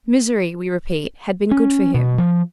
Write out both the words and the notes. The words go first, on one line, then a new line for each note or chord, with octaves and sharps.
Misery, we repeat, had been good for him.
C#4
B2
F3